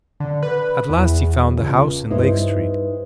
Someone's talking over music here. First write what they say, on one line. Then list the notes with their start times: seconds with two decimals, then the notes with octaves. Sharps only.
At last he found the house in Lake Street.
0.20 D3
0.43 B4
0.89 E2
1.57 C#2
2.10 G2 D#4 E4 C5